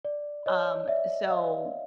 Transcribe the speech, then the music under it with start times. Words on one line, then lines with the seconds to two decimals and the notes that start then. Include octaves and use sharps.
um, so,
0.05 D5
0.46 C#5 D#5
0.88 D5 E5
1.30 D#5 F5